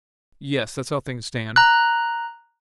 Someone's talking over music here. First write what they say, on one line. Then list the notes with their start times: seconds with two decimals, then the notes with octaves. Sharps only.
"Yes--that's how things stand."
1.56 A#5 F#6